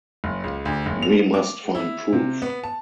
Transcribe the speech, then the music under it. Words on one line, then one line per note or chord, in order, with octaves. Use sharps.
We must find proof.
F#1
C#2
D2
F#1
F7
D6
E4
C3
B3
A5